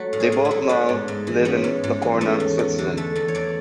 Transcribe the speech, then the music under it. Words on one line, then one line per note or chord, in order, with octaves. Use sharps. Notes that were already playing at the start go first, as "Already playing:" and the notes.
They both now live in Locarno, Switzerland.
Already playing: F#3 A3 F#4 A4
A2
G#4
A2
E4
F#3
B3 D4
G#2
G#2
E3
B3 C#4
G#2
G#2
E3
A3 C#4
E2
E2
D3
A3 A4
E2 A4
C#5
E2 D5